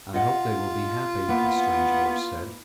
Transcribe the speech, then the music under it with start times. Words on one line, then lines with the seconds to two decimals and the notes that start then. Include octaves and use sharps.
"I hope they will be happy," a strange voice said.
0.14 F4 D#5 F#5
1.29 A#3 B3 E4 B4